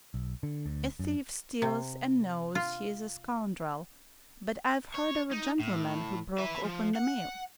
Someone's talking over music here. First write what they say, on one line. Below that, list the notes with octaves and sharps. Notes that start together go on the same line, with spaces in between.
A thief steals and knows he is a scoundrel, but I've heard of a gentleman who broke open the mail.
B1
D3
D2
F#2
C3
F4
C#5
D#4
A2
B4 E5
F3
F#5